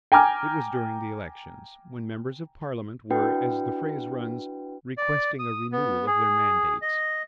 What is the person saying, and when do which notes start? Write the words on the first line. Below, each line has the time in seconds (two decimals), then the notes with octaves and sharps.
It was during the elections, when members of Parliament were, as the phrase runs, requesting a renewal of their mandates.
0.12 G5 G#5 A#5 D6 F6
3.11 D4 E4 F#4 B4 F#5 G5
4.98 D5
5.39 D#6
5.72 B3
6.07 G#4
6.82 D#5